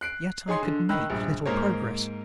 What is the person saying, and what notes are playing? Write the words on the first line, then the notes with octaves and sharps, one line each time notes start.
Yet I could make little progress.
F#6 C7 D7
D#4 G#4 C#5 C6 C7
D3
D#3 B5 E6 F#6
A#1 G2
G#2 A#3 A#4 C5 C#5